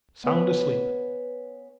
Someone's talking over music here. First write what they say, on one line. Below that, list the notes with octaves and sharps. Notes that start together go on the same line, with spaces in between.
Sound asleep!
B3 C#4 B4 C#5